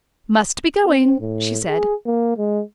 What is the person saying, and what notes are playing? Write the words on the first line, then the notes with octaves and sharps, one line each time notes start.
"Must be going," she said.
C4
A2
G#4
A#3
G#3